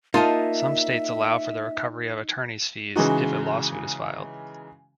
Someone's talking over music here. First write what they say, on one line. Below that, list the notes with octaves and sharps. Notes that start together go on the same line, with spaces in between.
Some states allow for the recovery of attorney fees if a lawsuit is filed.
A#3 D#4 F4 D#5 E5 A5
C#3 E3 G#3 D#4 F#4